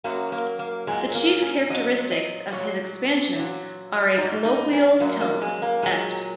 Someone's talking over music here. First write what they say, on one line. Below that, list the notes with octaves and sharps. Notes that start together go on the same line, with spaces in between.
The chief characteristics of his expansions are a colloquial tone, esp.
F#2 F#3 A#3
A#3
A#3
A#2 F#3 G#3
A#3
C#4
A#2 F#3 D#5
D#5
A#2 F#3 C#5
A#2 F#3
G#2 F#3 D#4
D#4
C#4
F#2 F#3 A#3
A#3
G#3
A#3
A#2 F#3 G#3